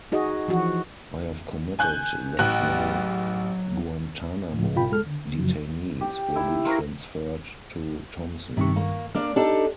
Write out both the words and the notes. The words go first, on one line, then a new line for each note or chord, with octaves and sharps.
I have committed that no Guantanamo detainees will be transferred to Thomson.
D#4 F#4 G#4 D#5
E3 F3 F#4
G#5 F#6 G6
A1 F#3 G5 F#6
A2 F3
G#2 B2 F4 G5 B5
G#3 A4 F6
D3
F#2 C#3 F3 F#3
G4
E4
F4 A#4 C#5
G2 C3 D#3 C#6
A#3
A#3 D4 D5 F6
D4 D#4 G4 A4